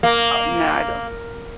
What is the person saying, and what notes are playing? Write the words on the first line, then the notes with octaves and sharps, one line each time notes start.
no I don't
A#3